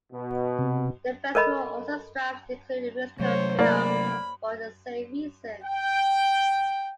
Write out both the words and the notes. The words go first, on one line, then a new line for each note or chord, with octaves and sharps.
The festival also strives to include a musical film for the same reason.
B2
C3
A4 A#4 D#5 B5
C3 F#3 A3 C5 C#5
A#3 D5 B5
G5